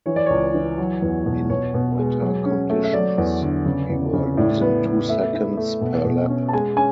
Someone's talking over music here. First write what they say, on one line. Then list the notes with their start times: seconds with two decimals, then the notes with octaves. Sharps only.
In wetter conditions, we were losing two seconds per lap.
0.06 E3 C#5
0.16 D5
0.26 C#2 C#5
0.54 E3
0.78 F#3
1.02 E2
1.26 B2
1.50 B2 C#5
1.74 B2
1.98 G#3
2.22 F#3
2.45 C#4
2.70 A3
2.84 E5
2.93 F#3 D5
3.18 E2
3.42 D3
3.66 C#3
3.89 E2
4.13 C#3
4.37 A2 D5
4.61 B3
4.85 B3
5.09 A3 E5
5.33 E4
5.57 A3
5.81 B2
6.05 B2
6.29 C#4
6.48 A5
6.53 G#3 G#5
6.77 C#4 G#5